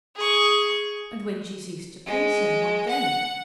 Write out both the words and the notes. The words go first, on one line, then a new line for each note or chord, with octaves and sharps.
And when she ceased to please him, what then?
G#4 C#6
G#3
F#5